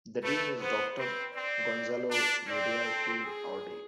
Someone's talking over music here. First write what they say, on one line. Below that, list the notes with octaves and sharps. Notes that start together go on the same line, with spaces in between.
The Dean is Doctor Gonzalo Uriarte Audi.
A3 B4
B3 C5
C4 B4
C4 D5
D4
C4 D5
A4
G#4